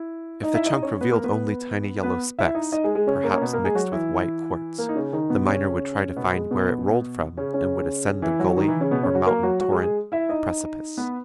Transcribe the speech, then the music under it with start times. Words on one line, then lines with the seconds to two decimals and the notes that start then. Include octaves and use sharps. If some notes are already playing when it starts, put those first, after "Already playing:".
If the chunk revealed only tiny yellow specks, perhaps mixed with white quartz, the miner would try to find where it rolled from and would ascend the gully, or mountain torrent, or precipice.
Already playing: E4
0.43 D#4 D#5
0.54 E4 E5
0.65 D#4 D#5
0.76 D#5
0.83 C#4 C#5
1.01 B3 B4
1.11 A#3 A#4
1.23 B3 B4
2.03 B3 B4
2.39 E4 E5
2.55 D#4 D#5
2.72 D#4 D#5
2.84 G#3 G#4
2.95 G#3 G#4
3.07 C#3 C#4
3.24 A#3
3.33 C#4
3.41 B2 B3
3.53 A#3 A#4
3.64 G#3 G#4
3.75 F#3 F#4
3.92 E3 E4
4.78 A#3
4.89 D#4
4.95 C#3 C#4
5.13 D#3 D#4
5.30 B2 B3
5.47 C#3 C#4
6.16 B2 B3
6.33 G#3
6.51 B2 B3
7.37 C#3 C#4
7.54 C#3 C#4
8.22 E3 E4
8.40 F#3 F#4
8.57 D#3 D#4
8.68 E3 E4
8.81 C#3 C#4
8.91 B2 B3
9.03 C#3 C#4
9.15 F#3 F#4
9.26 A#3 A#4
9.43 F#3 F#4
9.60 F#3 F#4
9.72 G#3 G#4
9.83 G#3 G#4
10.12 E4 E5
10.29 D#4 D#5
10.98 B3 B4